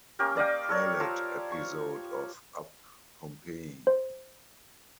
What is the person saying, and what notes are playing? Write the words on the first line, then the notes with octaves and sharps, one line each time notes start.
The pilot episode of Up Pompeii!
A#3 C#4 G4 A#4
D5 D#5 F5 G5
A4 A#4 C#5 D5
F3 A#5 E6
C#6
C5